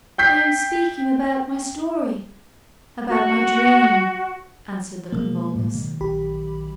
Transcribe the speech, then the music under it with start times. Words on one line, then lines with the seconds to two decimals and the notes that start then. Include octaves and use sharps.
"I am speaking about my story--about my dream," answered the Convolvulus.
0.18 G5 G6 B6 C7
3.08 F#4
5.12 B2 F3 F#3 G#3 A#3
5.54 A2 G3
5.74 D#3 F#3
6.01 A#1 G4 B5